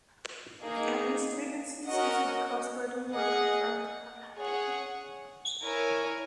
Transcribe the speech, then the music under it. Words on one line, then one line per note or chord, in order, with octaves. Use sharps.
At least three instances of cross burning were confirmed to have happened.
A#3 D#4 G#4
C#4 F#4 A#4 D#5 F#5
G#4 D#5 F#5
G#4 C#5 F#5
E4 A#4 C#5 G#5